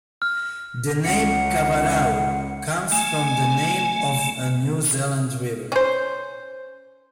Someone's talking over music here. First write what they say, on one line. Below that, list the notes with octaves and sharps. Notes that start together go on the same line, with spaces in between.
The name "Kawarau" comes from the name of a New Zealand river.
F6
C#2 F#5 C#7
A3 G#5
C#4 C5